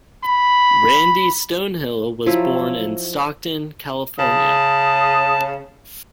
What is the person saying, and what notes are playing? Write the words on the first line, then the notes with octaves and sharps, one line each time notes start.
Randy Stonehill was born in Stockton, California.
B5
F3 F#3 E4
C#3 A5 D#6